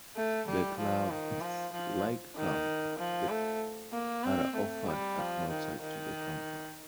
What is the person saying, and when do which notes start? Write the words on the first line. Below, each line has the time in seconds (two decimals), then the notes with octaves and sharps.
The clubs, like camp, are offered at no charge to the camper.
0.16 A3
0.47 G3
0.79 F3
1.10 D#3
1.41 F3
1.73 F3
2.36 D#3
2.99 F3
3.30 A3
3.92 A#3
4.24 C4
4.56 A3
4.87 G3
5.19 F3
5.51 D#3
5.81 D#3